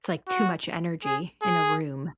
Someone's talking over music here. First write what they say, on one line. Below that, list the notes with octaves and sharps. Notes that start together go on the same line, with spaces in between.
it's, like, too much energy in a room.
F#4
G#4
G#4